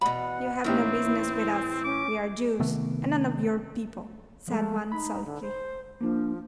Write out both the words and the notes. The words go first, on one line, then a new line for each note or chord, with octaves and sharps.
'You have no business with us: we are Jews, and none of your people,' said one sulkily.
E2 B2 D#5 F#5 B5
A2 E3 C4 C#4 D#4 E4 G4
C#4 D6
C3 D#3 A3 B3
F3 G#3 A3
D#4 B5
D3
C5
F3 A#3 D4